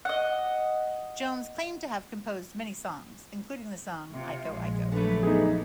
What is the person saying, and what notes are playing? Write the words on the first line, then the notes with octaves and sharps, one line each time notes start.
Jones claimed to have composed many songs, including the song Iko Iko.
D#5 F#5
C3 F4
A#1 G#3
D3 F#3 A3 B4 C#5
F#2 E3 B3 D#4 G#4